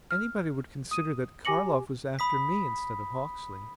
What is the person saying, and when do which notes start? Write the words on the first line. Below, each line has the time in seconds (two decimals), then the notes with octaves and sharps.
"Anybody would consider that Karlov was after me instead of Hawksley."
0.11 F6
0.91 D#6 D#7
1.45 G4 G#5 D6 A#6 C#7 F#7
2.19 B5 D#6 B6